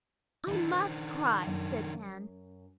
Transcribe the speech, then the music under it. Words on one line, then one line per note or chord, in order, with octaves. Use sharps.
"I must cry," said Anne.
D#3 E3 D4 E4
C5
F#2